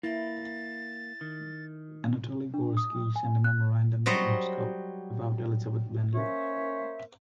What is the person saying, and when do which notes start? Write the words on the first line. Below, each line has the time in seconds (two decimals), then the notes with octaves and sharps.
Anatoly Gorsky sent a memorandum to Moscow about Elizabeth Bentley.
0.03 A#3 E4 A6
1.21 D#3
2.54 D4
2.77 D#6
3.16 G#5
3.44 F#6
4.06 F#3 G3 C5 C#5 D#5
6.15 A#3 C#4 C5 C#5 E5